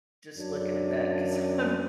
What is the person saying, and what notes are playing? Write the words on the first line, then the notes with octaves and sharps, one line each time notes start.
just looking at that 'cause I'm
F#2 C#4 D4